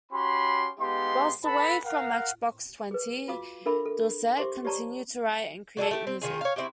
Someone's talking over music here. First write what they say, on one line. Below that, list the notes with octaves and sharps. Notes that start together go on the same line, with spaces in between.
Whilst away from Matchbox Twenty, Doucette continued to write and create music.
C#4 F#4 G4 B5 C6
G#3 B3 D#4 G4 F5 C6
A4 B4 F#5 A5 B5
A#4 F5 F#5
G#4 B4
F4 F#4 F5 D6 D#6
D4 A4 A#4 E5 B5 D6
A4
G4 C5 E5 C6 D6
G4 C#5 D5 A5 A#5 C#6
F#3 G3 G#4 A4
A3 G4
C4
D#3 F4 G#4
C#5 F5
C4 E4 F#4 G4